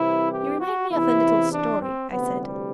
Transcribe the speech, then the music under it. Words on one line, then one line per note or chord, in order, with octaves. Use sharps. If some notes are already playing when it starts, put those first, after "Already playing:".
"You remind me of a little story," I said.
Already playing: C2 C3 E3 E4
G4
F#4
E2 C3 E3 E4
D4
C4
D2 C3 E3 B3
G3